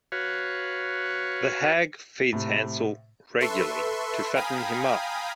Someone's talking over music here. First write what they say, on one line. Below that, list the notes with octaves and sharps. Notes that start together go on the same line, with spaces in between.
The hag feeds Hansel regularly to fatten him up.
F#4 B4 C#5 F5
A2 C3
A4 B4 E5 C6 C#6
F5 G5 G#5 A#5 B5 D#6